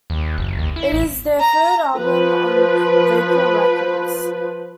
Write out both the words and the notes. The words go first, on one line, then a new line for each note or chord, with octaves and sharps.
It is their third album on Vapor Records.
D#2
F#1
D#2
E4
A1
A#5
F3 B4